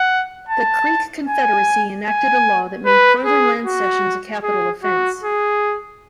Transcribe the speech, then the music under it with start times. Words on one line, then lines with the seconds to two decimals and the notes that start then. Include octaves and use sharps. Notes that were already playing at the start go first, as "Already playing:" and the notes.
The Creek Confederacy enacted a law that made further land cessions a capital offense.
Already playing: F#5
0.49 A5
1.28 G#5
2.07 G#5
2.86 B4
3.25 G#4
3.65 F#4
4.43 G#4
4.83 F#4
5.23 G#4